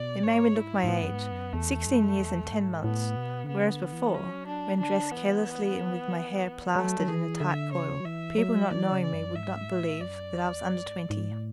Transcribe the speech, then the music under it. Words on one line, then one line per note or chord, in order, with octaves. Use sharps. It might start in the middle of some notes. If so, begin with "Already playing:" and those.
It made me look my age--sixteen years and ten months--whereas before, when dressed carelessly and with my hair plastered in a tight coil, people not knowing me would not believe that I was under twenty.
Already playing: B2 D5
G#2 C#5
E4
G#2
A2 B3
F#2
G#2
F#2
E2 A3
F#2
E2
G#2
A2 B3
B2
D3
C#3 B3
D3
E3
F#3 C#4
D4
D3 D4
E3 B3
F#3 A3
F#3
E3 G#4
D3 E5
C#3 C#5
F#3
E3 E5
F#3
E3 D5
C#3
D5
F#2
G#2 E5
A2
F#2 D5
E2
F#2
G#2
G#2
A2